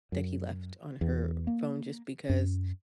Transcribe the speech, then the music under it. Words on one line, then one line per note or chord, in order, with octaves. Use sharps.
that he left on her phone just because
F#2
E2
A#3
F#2